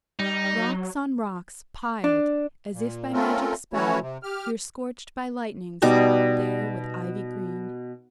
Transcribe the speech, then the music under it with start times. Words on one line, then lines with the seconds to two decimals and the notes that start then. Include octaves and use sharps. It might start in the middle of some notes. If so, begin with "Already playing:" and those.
Rocks on rocks piled, as if by magic spell, Here scorch'd by lightnings, there with ivy green.
0.19 G3 D#4
0.58 F#3
2.04 D4
2.74 A#2
3.13 A3 C4 C#4 F4 A4 A#4
3.73 E3 A3 C#4 E4 F#4 C#5
4.01 C3
4.23 G4 F6
5.82 B2 G3 D#4 D6